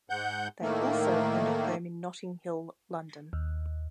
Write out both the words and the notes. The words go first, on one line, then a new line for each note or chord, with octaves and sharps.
They also owned a home in Notting Hill, London.
G#2 F#5 G6
A2 D#3 A3 A#3
D#2